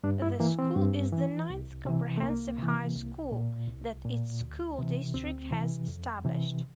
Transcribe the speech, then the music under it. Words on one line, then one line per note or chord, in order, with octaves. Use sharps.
The school is the ninth comprehensive high school that its school district has established.
G2 D4
E4
E3 A#3
C4
G2
E3
C2
C3 E3
A3
C2 A#3
C3 E3
C2
A#2
C2
A#2
D2
C3 E3
D2 C4
C3 E3
F2
C3 E3